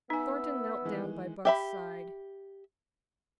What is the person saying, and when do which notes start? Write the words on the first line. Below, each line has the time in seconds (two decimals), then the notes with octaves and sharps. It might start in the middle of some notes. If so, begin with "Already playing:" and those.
Thornton knelt down by Buck's side.
0.10 B3 D#4 E5 G#5
0.85 D#3 E3 G#3
1.45 G4 E5 B5